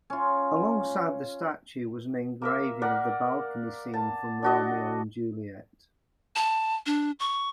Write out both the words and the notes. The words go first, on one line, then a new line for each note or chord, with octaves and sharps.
Alongside the statue was an engraving of the balcony scene from "Romeo and Juliet".
C#4 F4
A#3 A#4 E5
A#4 D5 F#5
A5
D4 F#4 D#5
A5
D4
C#6